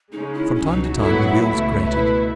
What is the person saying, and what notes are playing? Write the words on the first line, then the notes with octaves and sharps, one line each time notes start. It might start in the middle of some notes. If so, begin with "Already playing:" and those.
From time to time the wheels grated.
C#3 G#3 C#4 D#4
E4
C#2 B2 F#3 C#4
D#4
F#4
A2 F#3 B3 E4 A4
F#5
E5
C#2 B2 A3 E4
C#5
B2 A3 E4 B4